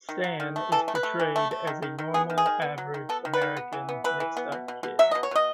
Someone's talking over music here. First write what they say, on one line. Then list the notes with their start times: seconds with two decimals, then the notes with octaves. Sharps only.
Stan is portrayed as "a normal, average, American, mixed-up kid".
0.09 D#3
0.24 F#3
0.40 D#3
0.56 A3
0.72 E3 A4
0.88 A3
0.95 B4
1.03 A3
1.20 E3
1.36 A3
1.51 A3
1.67 D#3
1.82 D#3
1.99 D#3
2.14 B3 G#4
2.30 D#3
2.38 G#4
2.46 D#3
2.62 B3
2.78 F#3
2.94 D#3
3.09 B3 A4
3.25 D#3
3.34 B4
3.42 D#3
3.57 B3
3.73 E3
3.89 B3
4.04 E3 B4
4.20 E3
4.37 B3
4.52 B2
4.68 B2
4.83 B2
4.99 F#3 E5
5.11 B2 D#5
5.23 C#5
5.31 B2 D#5